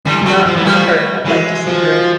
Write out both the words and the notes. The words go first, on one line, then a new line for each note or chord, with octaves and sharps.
not not her, I'd like to see her.
D3 E3 G3
F3
F#3 G3 A3
F3
E3
F3 G3 A3
E3 F#3 G#3
F3